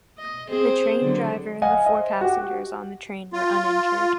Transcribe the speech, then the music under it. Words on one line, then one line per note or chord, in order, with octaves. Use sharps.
The train driver and the four passengers on the train were uninjured.
D#5
C4 G#4 C5
D3 F#3
D#5 F5 F#5 G#5
C5 D#5 E5
F#4 G4
F4